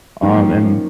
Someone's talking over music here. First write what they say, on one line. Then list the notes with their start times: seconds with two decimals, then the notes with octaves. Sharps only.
um, and
0.22 F#2 D#3 F3 A#3 C#4